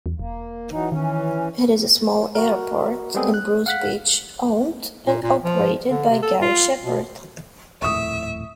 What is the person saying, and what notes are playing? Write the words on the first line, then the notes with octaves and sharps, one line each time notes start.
It is a small airport in Bruce Beach owned and operated by Garry Shepherd.
E2
E1 A#3
E3 F#3 D#4
D#3 E3 C#4
F#4 A#4
G3 G#3 B3 C4 G#4 A4
F#6
F5 F#5 F#6 B6
A#2
A#2
F3
D3
C3
A4
F4
B2
D#1 F2 A2 E5 C#6 D#6